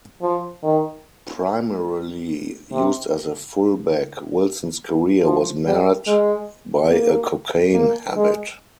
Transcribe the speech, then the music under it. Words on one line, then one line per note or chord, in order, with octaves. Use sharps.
Primarily used as a fullback, Wilson's career was marred by a cocaine habit.
F3
D#3
C3
F3
G3
G#3
A#3
A#3
G#3